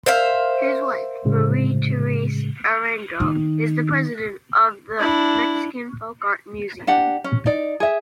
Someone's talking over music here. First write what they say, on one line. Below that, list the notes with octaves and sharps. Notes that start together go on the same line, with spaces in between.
His wife, Marie-Therese Arango, is the president of the Mexican Folk Art Museum.
A#4 C5 E5 F5
A2 C#3 G#3
D#3
D4 E4
D4 G4 F#5
C#4
D#4 D5
G#4 E5